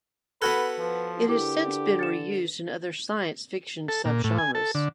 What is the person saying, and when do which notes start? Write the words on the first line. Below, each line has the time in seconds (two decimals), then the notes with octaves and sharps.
It has since been reused in other science fiction subgenres.
0.42 B3 F#4 A4 B4 F6 F#6 G#6
0.78 F3 B4
1.28 D3 E4 G4 A#4 D6
1.99 A6 C#7 E7
3.88 A4
4.05 A#2
4.24 A2
4.38 G#5
4.55 A4
4.75 D3